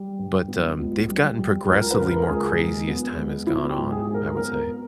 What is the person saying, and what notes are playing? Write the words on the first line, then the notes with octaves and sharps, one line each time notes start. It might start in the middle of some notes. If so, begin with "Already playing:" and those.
But, um, they've gotten progressively more crazy as time has gone on, I would say.
Already playing: G3
G2
B3
C#2
G3
G3
C#2 A#4
B4
C#3 A#4
A#4
C#2 G#4
G#3
B3
G#3
B3 E4
G4
G#2
G#4
G#2
A#4
B3 A#4